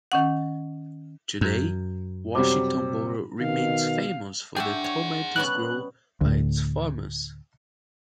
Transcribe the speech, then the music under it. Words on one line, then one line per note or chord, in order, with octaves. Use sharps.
Today, Washington Boro remains famous for the tomatoes grown by its farmers.
D#3 C#4 F#5
F#2
C3 F#3 G3 C5 D6
B2 D#3 F5
D4 F#4 G#4 E5 F#5 G5
C#5
G3 B3 C#4 F#6
D2 A2